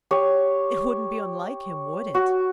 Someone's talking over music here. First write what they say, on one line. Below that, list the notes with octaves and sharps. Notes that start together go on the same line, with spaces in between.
"It wouldn't be unlike him, would it?"
G4 C#5
F#4